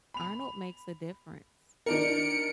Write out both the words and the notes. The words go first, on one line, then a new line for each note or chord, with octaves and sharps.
Arnold makes a difference.
B5 F7
D#3 D4 A#4 C#7 D7